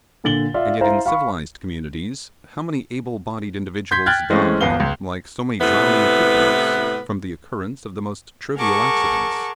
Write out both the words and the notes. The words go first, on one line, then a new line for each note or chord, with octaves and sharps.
And yet in civilized communities how many able-bodied individuals die, like so many drowning kittens, from the occurrence of the most trivial accidents!
A#2 D3 A6 F#7 G7
F4 D5 E5 F5
E4 C5 F5 A#5
F5 B5 C#6
C6 G6 G#6 B6
G5 F6 F#6 G#6 A6
E3 G#3 A3 C4 C#4
D1 G1 E2 B3 F5 G7
C#2
A2 C3 B3 E4 B4
G#4 A#4 F#5 A5 C#6 D6